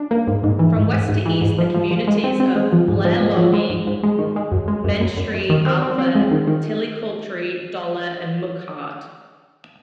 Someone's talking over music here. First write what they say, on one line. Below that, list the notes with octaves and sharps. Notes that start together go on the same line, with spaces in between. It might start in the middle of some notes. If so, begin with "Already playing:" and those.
From west to east the communities are Blairlogie, Menstrie, Alva, Tillicoultry, Dollar and Muckhart.
Already playing: D4
A#3
G#2
G#2
E3
G#2
G#2
G#2
E3
G#2
F3
F3
F3
G#3
C4
C4
G#3
F3
G#2
F3
G#3
F3
G#3
G#2
G#2
G#3
D#3
G#3
F#2
G#3
F#2
F#2
F#2
F#2
D#3
C4
C4
C4
G#3
D#3
D#3